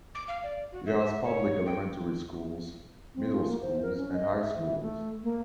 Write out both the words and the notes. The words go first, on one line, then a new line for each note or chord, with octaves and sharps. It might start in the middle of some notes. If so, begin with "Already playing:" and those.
It has public elementary schools, middle schools, and high schools.
D6
F5
D5
F#4
E5
C#5
G5
C4
F4
A#3
C5
A#4
C#4
D#5
E5
E3
A3
A#3